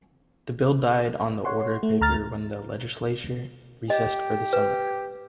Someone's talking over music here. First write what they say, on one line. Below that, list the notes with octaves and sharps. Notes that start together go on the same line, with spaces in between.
The bill died on the order paper when the legislature recessed for the summer.
C#5 F#5 C6
A3
D2 A#5 F6 A6
G4 D#5
B4